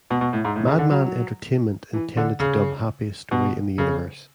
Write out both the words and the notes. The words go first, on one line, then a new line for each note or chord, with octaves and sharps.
Madman Entertainment intended to dub Happiest Story in the Universe!
B2
B2
A2
G#2
A2
C#3
D3
F#3
E3
D3
C#3
B2
C#3